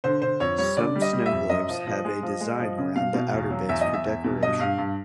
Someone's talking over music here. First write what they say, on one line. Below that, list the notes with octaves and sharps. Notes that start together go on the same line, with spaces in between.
Some snow globes have a design around the outerbase for decoration.
D3 C5
D3 C5
F2 C#5
G3 C#5
D3 D5
G3
D#5
G3
E5
F2
F#2 D#5
F3
F3
G#3
F3
G#3
F3
C#3
B2 F5
B2
E2
F#3
E2 E5
D#5
E2
E5
E2
B2
G2 D#5
G2 F5
G2